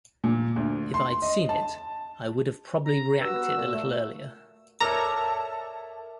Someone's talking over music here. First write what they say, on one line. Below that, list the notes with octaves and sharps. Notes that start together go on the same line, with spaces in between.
If I'd seen it, I would've probably reacted a little earlier.
A#2
D2
C6
D#5
A5
A#5
G2 F#4 E6
B3
A#2
A3
A4 A#4 C#5 D5 E5 A5 A#5